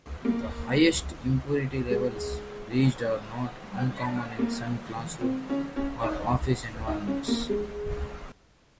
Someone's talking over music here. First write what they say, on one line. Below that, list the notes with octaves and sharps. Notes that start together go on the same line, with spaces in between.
The highest impurity levels reached are not uncommon in some classroom or office environments.
A#3
G#3
A#3
C4
C#4
C#4
D#4
D#4
C#4
A#3
G#3